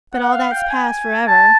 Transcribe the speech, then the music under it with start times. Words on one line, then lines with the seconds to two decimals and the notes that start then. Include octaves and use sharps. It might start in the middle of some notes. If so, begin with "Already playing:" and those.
But all that's past for ever.
0.13 F#5
0.32 F5
0.51 G5
0.70 G#5
1.27 A5